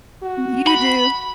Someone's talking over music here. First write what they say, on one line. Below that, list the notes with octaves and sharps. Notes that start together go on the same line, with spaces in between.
You do.
F#4
B5